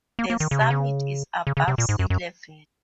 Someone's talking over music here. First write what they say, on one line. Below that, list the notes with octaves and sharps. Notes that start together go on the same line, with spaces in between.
The summit is above sea level.
A#3
A#3
D#3
C#3
C3
C#3
C#3
C#3
C3
A#2
G#2
F#2
F#2